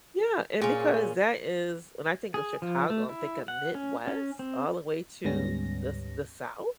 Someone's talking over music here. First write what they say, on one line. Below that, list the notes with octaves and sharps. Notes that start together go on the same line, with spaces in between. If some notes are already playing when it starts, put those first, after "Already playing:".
Yeah, and because that is when I think of Chicago, I'm thinking Midwest all the way to the s the South?
A#2 C#4 G#4
G#4
F3
A3
E4
F#5
C#4
C#4
C4
D2 G#2 G3 B3 C#4 A#6